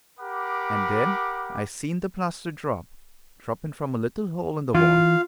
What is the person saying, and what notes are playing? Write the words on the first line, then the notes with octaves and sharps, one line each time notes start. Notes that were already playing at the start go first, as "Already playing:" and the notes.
And then I seen the plaster drop, droppin' from a little hole in the wall.
G4 A#4 F#5 B5 D6
E3 F4 F5